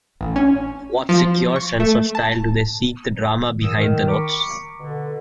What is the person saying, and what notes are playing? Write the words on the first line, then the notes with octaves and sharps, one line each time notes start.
With what secure sense of style do they seek the drama behind the notes.
A1
C#4
F3
C#6
A3
A5
E2 G#4 A#4 B4 D#6 E6
D#3
A#5 B5 C#6 D6
B2 D3